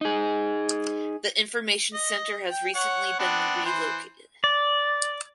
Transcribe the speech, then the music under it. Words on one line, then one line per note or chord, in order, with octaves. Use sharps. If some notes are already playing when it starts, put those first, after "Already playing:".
The Information Centre has recently been relocated.
D#4 G#4
D#5
G5
C#5 F#5
B3 C4 D4
E3 C5
D5